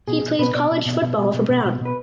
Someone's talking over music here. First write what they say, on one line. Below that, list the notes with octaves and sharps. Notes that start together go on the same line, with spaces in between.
He played college football for Brown.
B2 G#4
B2
B2 B4
B2 D5
B2
B2
B2
B2
B2
B2
B2
B2 B4